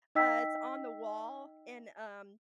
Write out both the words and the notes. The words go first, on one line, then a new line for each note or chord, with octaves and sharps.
uh, it's on the wall and, um
D#4 D#5 G5 E6 B6